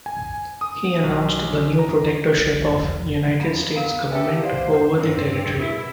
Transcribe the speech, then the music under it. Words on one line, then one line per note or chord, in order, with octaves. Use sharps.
He announced the new protectorship of the United States government over the territory.
G#5
D#6
B1
A#5
E3
G3
E2
F3
F1
F2 A#5 B5
B3 A#4 F5 A#5
B3 G4 A4 E5 G5
C5 D5 F5 F#5
G2 C4
B2 E4 A#4